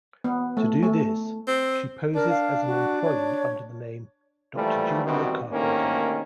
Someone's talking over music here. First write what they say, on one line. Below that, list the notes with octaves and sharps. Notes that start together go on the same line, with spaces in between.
To do this, she poses as an employee under the name "Doctor Julia Carpenter".
B3
A3
A3
C4
D4 A#4
F5
F#4
C#5
A#2 E3 F3 G3 A3
B2 D#3 E3 G3 C4 F#4
D2 A2 C3 D#3 A#3 C#4